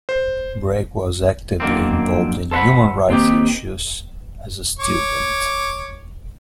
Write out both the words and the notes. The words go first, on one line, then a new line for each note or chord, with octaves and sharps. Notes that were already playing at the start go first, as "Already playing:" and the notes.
Brake was actively involved in human rights issues as a student.
C5
F#2 D3 D#3 A#3 C4
A4 C5 E5 F#5 B5
D#2 C4 D#4 G4
C#5 D6